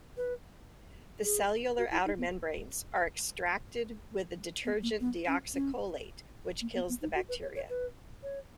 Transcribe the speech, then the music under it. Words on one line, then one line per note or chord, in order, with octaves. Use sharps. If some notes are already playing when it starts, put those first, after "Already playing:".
The cellular outer membranes are extracted with the detergent deoxycholate, which kills the bacteria.
B4
G#4
F#4
E4
D#4
B3
B3
A#3
B3
C#4
C#4
A#3
B3
B3
D#4
F#4
B4
C#5
C#5
B4
C#5